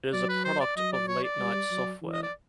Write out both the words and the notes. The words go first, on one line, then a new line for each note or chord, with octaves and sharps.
It is a product of Late Night Software.
F#3 D5
B4
C5
D5
F#3 D#5
D5
C#5
D5
G3
F#3
E3
D#5
D5